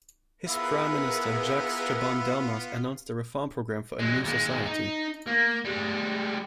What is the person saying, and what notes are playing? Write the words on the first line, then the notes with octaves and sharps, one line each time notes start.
His Prime Minister Jacques Chaban-Delmas announced a reform programme for a "New Society".
B3 E4 F4 G#4 A#4 B4
F#3 G#3
D#2 G#3
D#4
A#3
G3 G#3